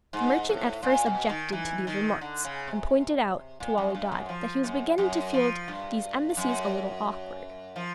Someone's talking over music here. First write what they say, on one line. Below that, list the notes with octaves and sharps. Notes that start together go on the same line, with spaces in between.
The merchant at first objected to these remarks, and pointed out to Wali Dad that he was beginning to feel these embassies a little awkward.
G#2
A2
A#2
B2
D#3
E3
D#3
D3
C#3
C3
A#2
F#2
G2
F#2
F3
F#2
F#2
F3
G2
F#2
F3